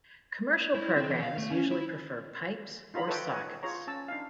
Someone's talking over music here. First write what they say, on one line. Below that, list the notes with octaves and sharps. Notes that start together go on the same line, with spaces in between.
Commercial programs usually prefer pipes or sockets.
E4
C4
E3
F5
A3
C#4
E4
D#4 F4 A#5 B5
A4 B4 C#5 D#5 E5 G5
C#5 D#5 F#5 G#5
F4 G#4 C5 C#5 A#5
C#4 A5 E6
D4 D#4 F5